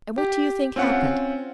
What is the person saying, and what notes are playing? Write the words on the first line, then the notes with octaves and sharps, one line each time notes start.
And what do you think happened?
G4
C4 C#4 F4 F#5